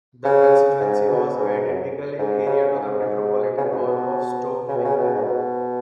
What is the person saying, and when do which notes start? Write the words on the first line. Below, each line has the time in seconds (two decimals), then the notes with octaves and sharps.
The constituency was identical in area to the Metropolitan Borough of Stoke Newington.
0.25 C#3
0.80 G#2
1.08 B2
1.35 G#2
1.63 F#2
2.19 G#2
2.46 C#3
2.74 G#2
3.01 G#2
3.58 C#3
3.64 B2
3.72 G#2
3.79 B2
4.68 C#3
4.76 B2
4.85 C#3
4.96 B2
5.15 G#2
5.24 B2